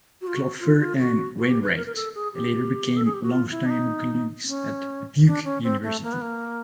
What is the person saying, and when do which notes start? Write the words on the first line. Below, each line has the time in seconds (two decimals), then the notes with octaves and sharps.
Klopfer and Wainwright later became longtime colleagues at Duke University.
0.21 F#4
0.27 F4
0.35 F#4
0.60 F4
0.80 F4
0.99 F#4
1.37 F#4
1.50 G4
1.63 B4
1.76 A#4
1.86 A#4
1.96 A4
2.15 G#4
2.34 G4
2.97 A4
3.05 G#4
3.14 G4
3.23 F#4
3.32 F4
3.51 E4
3.66 D4
3.70 D#4
4.43 C4
4.48 C#4
5.26 D4
5.45 C#4
5.63 C4
5.83 A3
6.03 A#3
6.13 B3
6.22 A#3